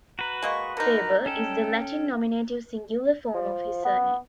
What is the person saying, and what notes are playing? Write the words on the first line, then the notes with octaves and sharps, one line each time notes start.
"Faber" is the Latin nominative singular form of his surname.
F#4 B4 A#5
G#3 A#3 D#5 C#6
D3 D#4 A#4
C#4 A4 G5
F3
B3